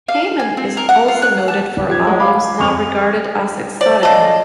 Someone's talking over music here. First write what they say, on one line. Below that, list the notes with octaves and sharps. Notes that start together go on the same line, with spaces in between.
Hayman is also noted for albums now regarded as Exotica.
F5
A4
G#5
C4
A#4
F#5
F4
F#6
A5
F3 G4 G#6
G#3
F5 B5 D6
F2 C#6 F7
C5 D5
C#3 A4 D#5